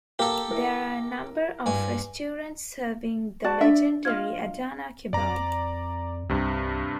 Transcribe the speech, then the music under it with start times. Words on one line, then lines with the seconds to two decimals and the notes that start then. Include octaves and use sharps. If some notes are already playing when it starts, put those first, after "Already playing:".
There are a number of restaurants serving the legendary Adana kebab.
0.19 A#3 G4 A4 A#4 F5
0.50 E4 A#4 E5
1.66 G2 G#5
3.44 F#4 D5 A5
3.61 D4 D5 E5
4.05 F4 D#5 F5 F6 G#6
5.13 F2 D5 A#5
6.29 C2 G2 C3